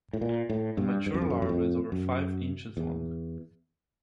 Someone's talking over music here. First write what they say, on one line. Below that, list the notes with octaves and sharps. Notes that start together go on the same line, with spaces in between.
The mature larva is over five inches long.
A2
A#2
A2
G2
G2
F#2
F2
F#2
F#2
F2
F#2
E2